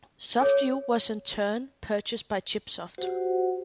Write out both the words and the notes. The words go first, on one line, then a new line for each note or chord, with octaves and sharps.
SoftView was in turn purchased by ChipSoft.
G#4 A4 C#5
F#4 G4 C5 F#5